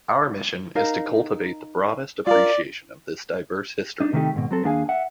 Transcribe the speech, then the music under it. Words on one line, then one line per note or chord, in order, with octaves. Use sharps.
Our mission is to cultivate the broadest appreciation of this diverse history.
D#4 A#4 F5
F4 A#4 D5
D4 D#4
C3 D#3 A3 B3 D#4 G4
D#2 G#2 B2
F#3 C4 A4
D#2 A#3 D4 G#4 F5 G#5
E5 F#5